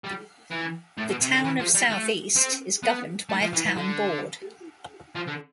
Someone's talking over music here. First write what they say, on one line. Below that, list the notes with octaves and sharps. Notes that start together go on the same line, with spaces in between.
The Town of Southeast is governed by a town board.
G3
E3
A2
B2
C3
D3
E3
F3
G3
A3
C4
B3
A3
F3
E3
E3
D3
F3
D3